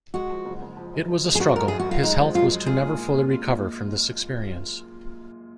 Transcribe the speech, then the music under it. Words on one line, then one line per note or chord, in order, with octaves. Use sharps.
It was a struggle; his health was to never fully recover from this experience.
G#3 F#4
F3
F#1
F#1
F3
F#2
F3
G#3
G#4
F#1 F#4
F#2 A#4
F#2 G#4
F#4
F#2 F4
G#3 D#4
F3
F#2 F4
G#3
F4 G#4
A#2
A#3
A#3
F4
A#2
A#2